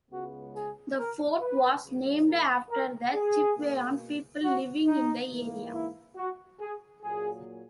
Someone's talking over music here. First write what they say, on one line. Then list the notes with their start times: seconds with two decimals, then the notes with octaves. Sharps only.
The fort was named after the Chipewyan people living in the area.
0.11 C#2 C#3 G#3 B3 F#4
0.54 G#4
0.98 A#4
1.41 B4
1.84 C#2 C#3 F#3 A#3
2.27 A#4
2.70 A#4
3.13 G#4
3.57 B2 A#3
4.43 F#4
4.87 D#4
5.30 G#2 E3 A#3
5.73 E4
6.16 F#4
6.60 G#4
7.03 A#2 F#3 A#3 G#4